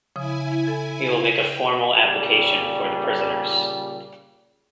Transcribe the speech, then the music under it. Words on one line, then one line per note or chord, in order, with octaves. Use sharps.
We will make a formal application for the prisoners.
C#3 F3 E4 G#5 D#6
A4
G5
A#2 C#3 G3